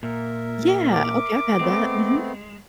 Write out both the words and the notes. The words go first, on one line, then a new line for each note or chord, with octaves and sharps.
Yeah. Okay. I've had that. Mhm.
A#2 A#4 E5
D6
G#3 A3 B3 C4